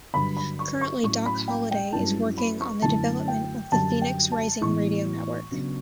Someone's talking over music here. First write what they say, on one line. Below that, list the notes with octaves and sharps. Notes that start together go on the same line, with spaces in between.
Currently Doc Holliday is working on the development of the Phoenix Rising Radio Network.
G2 D3 F#3 B5
B5
C#6
C#6
A2 F#3 C#4 C#6
B5
G5
G5
G2 F#3 C#4 E4 A5
B5
C#6
F#2 D3 A3 E4 A5
G5
F#2 D3 G3 A5
G5
A5
A2 E3 B3 E4 C#6
C#3 F#3 B3 D4